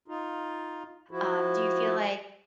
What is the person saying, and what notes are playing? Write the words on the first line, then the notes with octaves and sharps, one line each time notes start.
um Do you feel like
D#4 F4
F3 E4 F#4